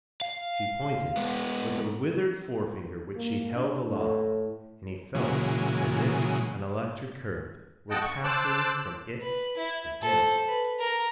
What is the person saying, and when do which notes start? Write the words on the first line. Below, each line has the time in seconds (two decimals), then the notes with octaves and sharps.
She pointed with a withered forefinger which she held aloft and he felt as if an electric current were passing from it to him.
0.21 F5
1.17 G#3 B3
3.16 A#3
3.55 D4
3.92 A2
5.15 A#2 C#3 E3 F#3 G#3
7.90 F2 F3 D#5 F#5 G5 A5
8.02 C#6
8.24 C5 A5 D6 E6 F#6
9.21 B4
9.57 E4
10.02 A4 C5
10.48 B4
10.79 A#4